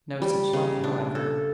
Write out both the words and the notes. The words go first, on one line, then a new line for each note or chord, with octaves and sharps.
No such luck, however.
G3
C#3
D4
A4